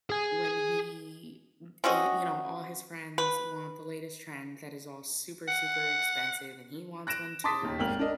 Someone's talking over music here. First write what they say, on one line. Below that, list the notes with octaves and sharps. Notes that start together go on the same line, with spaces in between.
when he, uh, i you know, all his friends want the latest trend that is all super, super expensive, and he wants one too,
G#4 G#5
C4 C#4 F#4 D#5
B4
F#5
F#6 A#6 D7 E7
A5 C6 D6 D#6 A6 B6
D#1 D#2
G#1 A#3 G5 F6 F#7
D4 A#4 D#5